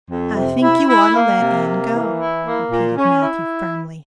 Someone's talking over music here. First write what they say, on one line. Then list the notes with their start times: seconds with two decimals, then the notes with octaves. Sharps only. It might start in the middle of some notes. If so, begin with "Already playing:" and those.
"I think you ought to let Anne go," repeated Matthew firmly.
0.09 F2
0.35 C3
0.61 E4
0.87 E4
1.14 A#3
1.39 C3
1.66 A#3
1.91 E3
2.17 E4
2.44 A#3
2.70 A#2
2.96 C#4
3.22 E4